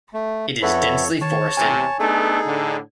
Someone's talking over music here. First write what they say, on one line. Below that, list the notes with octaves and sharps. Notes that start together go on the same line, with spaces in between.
It is densely forested.
A3
F2 A4 B4 C#5 E5 F#5
D#3 C#5 A5
E2 C3 G#5
A3 B3 D4 D#4 G#4 A4
A2 D3